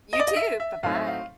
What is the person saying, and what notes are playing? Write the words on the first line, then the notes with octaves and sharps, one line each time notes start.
You too. Bye bye.
D#5
D5
D#5
E5
E5
A2 F#3 A3 C4 D#4 F5
E5
F5